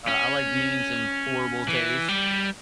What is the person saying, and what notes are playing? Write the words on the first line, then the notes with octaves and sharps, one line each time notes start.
Uh, I like memes in horrible taste.
C#4
E3
G3